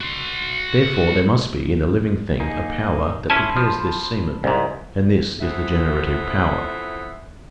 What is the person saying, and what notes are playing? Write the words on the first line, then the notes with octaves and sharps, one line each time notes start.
Therefore there must be in the living thing a power that prepares this semen; and this is the generative power.
F#4 C6
A#3 D#4 G#4
C#4 E4 G#5 A5 B5 C6
F3
C2 G#2 C#3 G#3 E4
F2 E3 B3 C5 E5 F#5